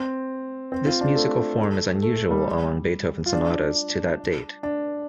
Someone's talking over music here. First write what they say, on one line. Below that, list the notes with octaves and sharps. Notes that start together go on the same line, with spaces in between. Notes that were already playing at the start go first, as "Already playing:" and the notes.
This musical form is unusual among Beethoven sonatas to that date.
Already playing: C4
C4
F4
D4
A3
A3
A3
G3
F4
D4
D4